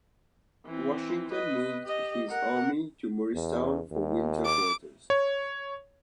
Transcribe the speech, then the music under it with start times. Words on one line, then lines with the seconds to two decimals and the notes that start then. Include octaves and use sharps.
Washington moved his army to Morristown for winter quarters.
0.66 E3 C4
1.32 B4 D#5
1.84 G4 D#5
2.29 A#4 F#5
3.34 E2
3.91 D#2
4.46 D6
5.10 C#5